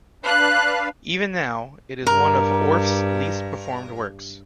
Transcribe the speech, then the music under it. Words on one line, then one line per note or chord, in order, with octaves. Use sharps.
Even now, it is one of Orff's least performed works.
D4 B4 F5 F#6
G2 A#4